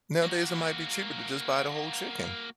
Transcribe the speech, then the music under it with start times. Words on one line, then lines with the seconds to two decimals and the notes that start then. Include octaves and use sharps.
nowadays it might be cheaper to just buy the whole chicken.
0.23 A#3 F#4